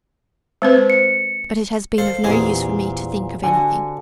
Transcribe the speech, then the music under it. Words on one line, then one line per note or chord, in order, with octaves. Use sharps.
But it has been of no use for me to think of anything.
G#3 C4 B4 C5
C#7
A4 C5 F5
E2 A#2 C4 G4 G#4
D3 F#4 G#5